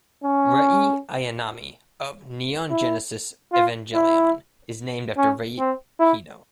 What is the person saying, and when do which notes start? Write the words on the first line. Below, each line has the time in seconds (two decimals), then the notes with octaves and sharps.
Rei Ayanami of "Neon Genesis Evangelion" is named after Rei Hino.
0.24 C#4
2.71 E4
3.53 F4
3.94 E4
5.18 C#4
5.59 C4
6.00 E4